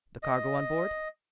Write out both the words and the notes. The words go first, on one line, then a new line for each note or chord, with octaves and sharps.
"The cargo on board?"
D#5